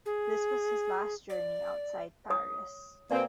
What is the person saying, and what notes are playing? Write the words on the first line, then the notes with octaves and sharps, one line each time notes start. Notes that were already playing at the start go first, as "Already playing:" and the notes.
This was his last journey outside Paris.
G#4
D5
C#5 D#6
B2 A#3 C4 D5 G#5